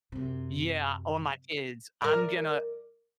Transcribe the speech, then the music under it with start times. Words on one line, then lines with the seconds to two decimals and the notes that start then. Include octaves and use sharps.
Yeah, or my kids, I'm gonna
0.12 F#2 C3
2.02 A#4 D5